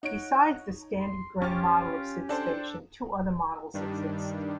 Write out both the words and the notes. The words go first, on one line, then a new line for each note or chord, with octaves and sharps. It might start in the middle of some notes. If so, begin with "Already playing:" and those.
Besides the standard grey model of SidStation, two other models exist.
D#4 C#5 F#5 D7
C6
C#4 F4 G4 C#6 F6 A6
D4 A4 C5 D5 G5 A5
G2 D#3 G3 D4